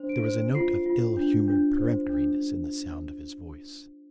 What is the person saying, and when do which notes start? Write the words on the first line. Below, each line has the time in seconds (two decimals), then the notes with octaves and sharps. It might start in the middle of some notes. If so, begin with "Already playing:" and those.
There was a note of ill-humoured peremptoriness in the sound of his voice.
Already playing: D4 C5
0.09 D7
0.24 C5
0.55 F4 C7
0.86 F4
1.17 D4
1.48 D4
1.78 C5
2.10 D4